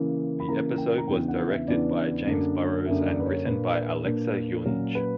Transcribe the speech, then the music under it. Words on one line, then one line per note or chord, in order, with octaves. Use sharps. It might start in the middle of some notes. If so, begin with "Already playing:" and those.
The episode was directed by James Burrows and written by Alexa Junge.
Already playing: C#3 E3 A#3
B5
C#3 E3 A#3 A#5
G5
A#5
E2 C#3 E3 B3 D4 G5
F#5
E5
E2 C#3 E3 B3 D4 D5
F#2 D3 A#3 D4
F#2 D3 A#3 D4 E5
D5
B4
C#5
A#2 A#3 D4 B4
A#2 A#3 D4
A#2 F#3 C#4 A#4
B4